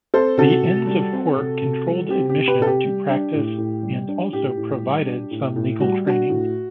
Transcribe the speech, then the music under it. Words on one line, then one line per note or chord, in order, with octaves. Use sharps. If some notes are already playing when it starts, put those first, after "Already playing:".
The Inns of Court controlled admission to practice and also provided some legal training.
C4 A4 C5
C3 F#4 A4
C3
G3
C4
C3
C3
G3
C4 G4
G4
C3
G4 B4
C3 A4
G4
G3
D4
A2
A2
G3
D4
A2 G4
A2
G3
D4
A2
A2
G3 F#4
D4 F#4
A2